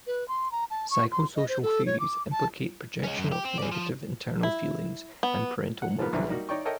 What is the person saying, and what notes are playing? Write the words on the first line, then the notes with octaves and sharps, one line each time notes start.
Psychosocial theories implicate projection of negative internal feelings and parental modeling.
B4
C6
A#5
A5
C#6
C6
D#5
C5
A4
C#5
D6
A5
G#3 C#4
F#2
G4
C4
G#4 D5
F3
E4
B3
F#5
G#2 F3 A#3 B3
C2 F#2 D3 E3 B3
G3 A#3 D#4 F#4
D#4 C#5 D5 G5 C#6
A4 A#4 C#5 D#5 E5 G5